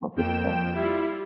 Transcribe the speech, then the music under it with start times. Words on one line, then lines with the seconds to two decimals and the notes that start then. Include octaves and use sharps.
Don't think so.
0.16 F2 A#3 G5 E7
0.74 G3 E4 F4